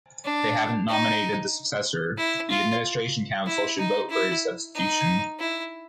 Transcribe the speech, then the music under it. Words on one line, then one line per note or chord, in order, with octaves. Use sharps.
They haven’t nominated the successor; the administration council should vote for his substitution.
D4
D#4
E4
F4
E4
D#4
E4
D#4
E4